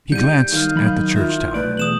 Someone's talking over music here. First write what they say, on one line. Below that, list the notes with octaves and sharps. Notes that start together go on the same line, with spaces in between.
He glanced at the church tower.
G#2 G3 G6 D#7
D#3 F5
F#3 B5
E4 F4
B1 A3 B4 D5
E2 D#6 E7 F#7